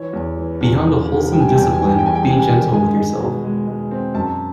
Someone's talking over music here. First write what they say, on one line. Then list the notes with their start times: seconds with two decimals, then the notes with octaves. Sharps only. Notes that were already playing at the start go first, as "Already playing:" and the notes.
Beyond a wholesome discipline, be gentle with yourself.
Already playing: E3 C#5
0.13 E2
0.37 E3
0.61 E2
0.84 E3
1.09 C3
1.31 G3 G5
1.40 G#5
1.48 G5
1.56 E2 G#5
1.65 G5
1.73 G#5
1.79 G3 G5
1.90 G#5
1.99 G5
2.02 E2 G#5
2.15 G5
2.23 C3 G#5
2.31 G5
2.39 G#5
2.49 D#3 G5
2.73 G#3 G#5
2.97 G#3
3.20 B2
3.44 G#3
3.67 G#3
3.91 C4
4.14 F#2 A5